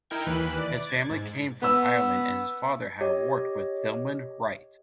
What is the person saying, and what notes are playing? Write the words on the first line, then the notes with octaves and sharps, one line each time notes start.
His family came from Ireland and his father had worked with Philemon Wright.
D#4 E4 A#4 G5 G#6
D#2 E3 B4 F#6
D5
G#6 A6
G#2
B3 B4 E6
G4 C#5 D#5